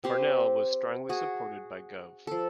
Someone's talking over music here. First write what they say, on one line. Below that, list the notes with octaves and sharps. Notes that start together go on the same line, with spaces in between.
Parnell was strongly supported by Gov.
C4 G4 C5
F#4 G#4
F3 A4